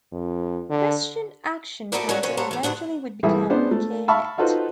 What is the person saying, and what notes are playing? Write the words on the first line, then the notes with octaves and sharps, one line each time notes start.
Christian Action Council eventually would become Care Net.
F2
D3
D#4 E4 F#4 A4 A#4 D5
F#3 A#3 C#4 F#4
A#2 C#3 F3 C#4 F#4
G3 A4 A#4 C5 C#5 F#5
E3 A3
D2 G2 D4 F#5
C2 E3 G#4 A4 E5 D#6
B3 C#4 D4 G#4 C5
A3
E5 F5 A5 B5 C#6 E6
D#4 F4 F#4 A4 B4 C5